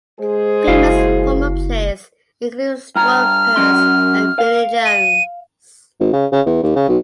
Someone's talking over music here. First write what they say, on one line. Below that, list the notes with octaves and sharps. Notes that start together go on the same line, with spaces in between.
Famous former players include Stuart Pearce and Vinnie Jones.
G#3 G#4 C5
F#1 E4 F#4 F5
G2 A#5 F6
F#3 C#4 C6
F5
D#7
G#1
C#3
C#3
E2
D#2
C#3
B1